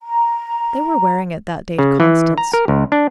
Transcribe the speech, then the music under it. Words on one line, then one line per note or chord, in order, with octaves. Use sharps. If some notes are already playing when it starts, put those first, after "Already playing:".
They were wearing it that day to Constance.
A#5
C#3
E3
A#5
A#4
C#2
D4